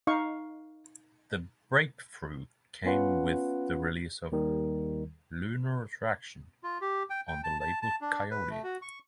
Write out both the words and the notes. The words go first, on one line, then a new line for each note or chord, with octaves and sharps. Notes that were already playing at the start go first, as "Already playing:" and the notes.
The breakthrough came with the release 'Lunar Attraction' on the label Koyote.
D#4 F5 C#6
B3 C#4 F4 B4 F#5
D#2 D#3 G3
F4
G4
G5
G5
A5
A5
A5
D4
B4
A3
F#4
C#6